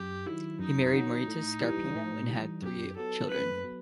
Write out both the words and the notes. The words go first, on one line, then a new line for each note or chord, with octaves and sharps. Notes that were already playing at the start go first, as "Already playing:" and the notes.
He married Marita Scarpino and had three children.
Already playing: F#2 G4
D#3 F#3 E4
F#2 D#4
D#3 F#3
A2
E3 G3
A2
E3 G3
F#2 G4
F#3 B3 A4
F#2 B4
F#3 B3